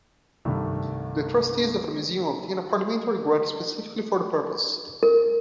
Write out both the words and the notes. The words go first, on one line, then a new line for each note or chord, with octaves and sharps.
The trustees of the museum obtained a parliamentary grant specifically for the purpose.
C2 G2 C3 D#3 A3
A#4